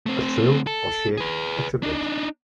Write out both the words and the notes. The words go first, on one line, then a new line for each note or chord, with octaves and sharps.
A trill, or shake a triplet.
A3 C4
A4
G#4 B4
D4 D#4